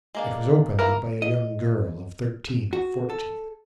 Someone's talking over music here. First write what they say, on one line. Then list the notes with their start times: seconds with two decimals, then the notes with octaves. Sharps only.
It was opened by a young girl of thirteen or fourteen.
0.15 G#3 A#3 D4
0.79 A#3 E4 A#4
1.22 D#5
2.73 F#4
3.10 A4